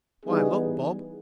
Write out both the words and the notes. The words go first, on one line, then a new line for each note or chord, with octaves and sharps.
Why, look, Bob.
E3 G3 B3 D#4 G#4